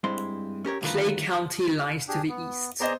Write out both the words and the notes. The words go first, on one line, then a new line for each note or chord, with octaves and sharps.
Clay County lies to the east.
G2 G#3 C4 E4 C6
C#4 G4 A#4 C#5
D2 G2 D3 D#3 F4 B4
D4 G4 G#4
B3
B3 G#4 C5 D5 D#5 A#5